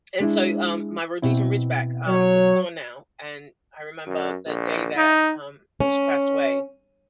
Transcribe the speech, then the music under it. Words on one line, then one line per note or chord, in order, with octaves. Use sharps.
and so um, my Rhodesian Ridgeback, um, is gone now, and I remember the day that, um, she passed away.
G#3 D4 E4
B2 C4 E4
F#3 C#5
F#2
A#1
D#4
C#4